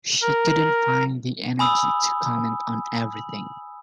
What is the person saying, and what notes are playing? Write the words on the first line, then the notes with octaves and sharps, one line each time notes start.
She couldn’t find the energy to comment on everything.
A#4
G#5 B5 D#6 E6